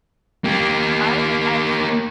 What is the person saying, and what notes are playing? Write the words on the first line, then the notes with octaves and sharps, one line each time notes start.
I would actually
A#3 G4